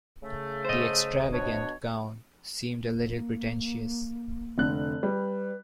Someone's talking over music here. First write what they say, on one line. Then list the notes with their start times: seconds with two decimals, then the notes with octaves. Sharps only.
The extravagant gown seemed a little pretentious.
0.23 C#3 A3
0.65 C5 D#5
1.32 B2 D4 C#5
2.83 A#3
4.58 F1 D3 F#6
5.03 G3 B4